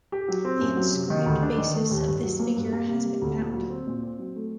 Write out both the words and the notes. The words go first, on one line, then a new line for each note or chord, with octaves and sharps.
The inscribed basis of this figure has been found.
G4
F#3
C4
F#2
F#3
C3
D#3
D2
D4
D#3
A3
D#2
G2
F#3
A#3
G2
A#3
C3
G3
D2
A#2
F#3
C4
A#2
C4
F#3
A3